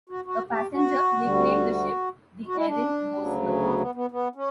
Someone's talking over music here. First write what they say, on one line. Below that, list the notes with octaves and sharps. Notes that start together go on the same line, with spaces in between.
A passenger nicknamed the ship the "Erin-go-Slow".
F#4
F#4
G4
F#4
D2 D3 G3
F#4
E4
D4
D2 C#3 F#3
B3
B3
B3
B3
C#4